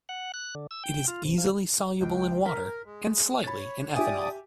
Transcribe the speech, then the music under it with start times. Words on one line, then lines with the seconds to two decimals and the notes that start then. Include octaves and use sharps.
It is easily soluble in water and slightly in ethanol.
0.09 F#5
0.34 F#6
0.55 D3
0.71 E6
0.84 G5
1.08 F4
1.25 C3
1.38 F3
2.01 C#2 G5
2.45 A#4 B6
2.85 G#3
3.44 C#5 B5 A6
3.95 G4 D5 E5 G#5 D#6